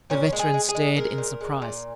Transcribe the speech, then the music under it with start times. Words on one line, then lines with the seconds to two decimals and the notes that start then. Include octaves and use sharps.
The veteran stared in surprise.
0.10 A#2 C#4
0.33 G#3
0.39 G#4
0.54 G#3
0.69 G#4
0.75 G#3
0.96 G#3 A#4
1.18 A#2
1.41 G#3
1.62 A#2